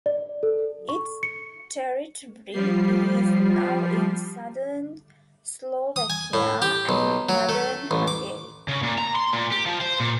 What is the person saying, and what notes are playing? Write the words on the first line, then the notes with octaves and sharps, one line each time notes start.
Its territory is now in southern Slovakia and northern Hungary.
D5
A4
C#6
C#7
F3 G3 C7
D#6
G#5
A2
G4
B1
F#3
A3
A1
D6
C#3
A#2
A#5
C6
A#2
G4
F3
C5
A#2